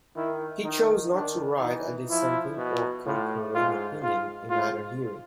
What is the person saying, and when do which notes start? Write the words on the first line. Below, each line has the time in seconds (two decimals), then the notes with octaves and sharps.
He chose not to write a dissenting or concurring opinion, in either hearing.
0.16 D#3 E4
0.64 D#3 D#4
1.13 D#3 D4
1.61 E3 D#4
2.10 F3 E4
2.57 B2
3.05 A2 F4
3.53 G#2 F4
4.02 G#2 F4
4.50 G#2 F4